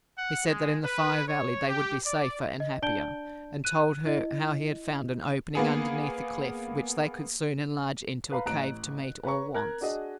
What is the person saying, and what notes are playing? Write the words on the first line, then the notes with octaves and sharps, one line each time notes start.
He said that in the Fire Valley they would be safer and happier, and told her how he had found an opening underneath the cliff which they could soon enlarge into a cave to meet all wants.
F#5
G#3
B4
C#5
G4
D5
D#5
D4 D5 A5 G6 D7 G7
F#6 D#7
E4 D#5
A#3 B3 G#4
B4 F5 A#5 B5
A1 A#5 F#6 D7
B4 C#5 A#5 C#6
A#4 F#6 G#6
D4 F#4 G#4 D#5